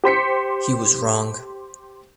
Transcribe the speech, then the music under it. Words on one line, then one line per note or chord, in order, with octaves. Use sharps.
He was wrong.
G4 C5 B6 C#7